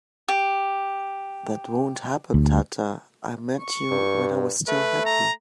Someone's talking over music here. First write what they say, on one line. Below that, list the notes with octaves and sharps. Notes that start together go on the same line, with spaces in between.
That won't happen Tata, I met you when I was still happy!
G4
D2
C#6
G2
A3 B4
A#5